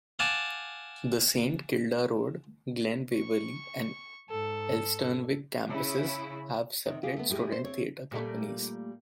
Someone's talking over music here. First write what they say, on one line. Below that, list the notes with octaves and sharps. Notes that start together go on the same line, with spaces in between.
The Saint Kilda Road, Glen Waverley and Elsternwick campuses have separate student theatre companies.
F5 F#5 G#5 A5 D6
C#6
G#2 A4
C#3 E4
C3 D#3
F4 G4 G#4
A3 B3
A2 G#3 G4
C5
C4 C#5
A#2 G3 A3